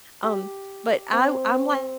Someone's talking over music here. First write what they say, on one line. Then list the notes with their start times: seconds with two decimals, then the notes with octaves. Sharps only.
Um, but I I'm like
0.24 G4
1.13 C4